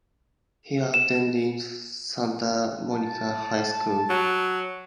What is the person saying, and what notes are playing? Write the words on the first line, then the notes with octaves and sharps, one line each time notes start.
He attended Santa Monica High School.
E7
A5
F#3